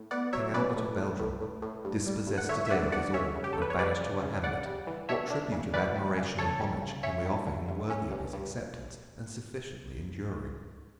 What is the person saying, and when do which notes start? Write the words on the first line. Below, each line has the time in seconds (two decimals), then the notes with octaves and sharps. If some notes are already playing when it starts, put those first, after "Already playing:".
King Albert of Belgium, dispossessed to-day of his all and banished to a hamlet--what tribute of admiration and homage can we offer him worthy of his acceptance and sufficiently enduring?
Already playing: A2
0.11 B3 D5 F#5
0.33 F#3 C#5 E5
0.54 C#4 B4 D5
0.76 A2
0.98 A2
1.19 A2
1.41 A2
1.62 A2
1.84 G2
2.06 G3
2.27 G2
2.38 F#5
2.49 D3 C#5 E5
2.66 E5
2.70 G2 D5 F#5
2.92 G2 D5 F#5
3.14 C#4 C#5 E5
3.36 C#3
3.44 G4
3.53 A4
3.57 C#3 B4
3.70 C#5
3.79 G3 B4 D5
4.00 C#3
4.22 C#3
4.44 C#3 D5 F#5
4.65 G3
4.87 E3
5.09 D4 C#5 E5
5.30 D4
5.52 C#3
5.74 E3 B4 D5
5.95 G3
6.17 C#3
6.38 C#3 A4 C#5
6.60 G3
6.82 C#3
7.03 C#4 C#5 E5
7.25 G2
7.47 D3
7.68 G2
7.90 C#4
8.11 G2
8.33 G2